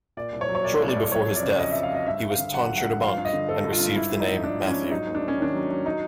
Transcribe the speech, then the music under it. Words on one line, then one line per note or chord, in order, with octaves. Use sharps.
Shortly before his death he was tonsured a monk and received the name "Matthew".
A#2 D5
C2
C#5
F#3
C#5
A#2 D5
C2
D5
C2
F#3 C#5
F2
D5
C#3
F2 D#5
E5
F2
F5
F#3 D#5
G2 E5
G2
F5
D3
F#3 F#5
G2
F#5
G2
F3 F5
G2
D#5
D3
G2 A4
G2
F4
G2
G#2 E4
F3
D#4
G#2
F3 D4
F3
C#4
G#2
F#3 D#4
D#2
D4
D#2
C#4
D#3 D4
F#3
F#3
F#3 D#4